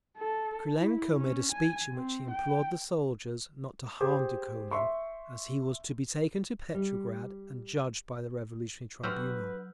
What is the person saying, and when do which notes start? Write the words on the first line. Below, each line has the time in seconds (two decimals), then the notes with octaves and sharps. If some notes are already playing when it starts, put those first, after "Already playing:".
Krylenko made a speech in which he implored the soldiers not to harm Dukhonin, as he was to be taken to Petrograd and judged by the Revolutionary Tribunal.
0.18 A4
0.77 E4
1.14 C#4
1.52 G#5
1.94 C4
2.30 G5
4.01 G4 G#4 C5
4.71 E5 C6 C#6
6.74 G3
9.03 D3 F#3 G3 F#4 B4 E6 F6 G6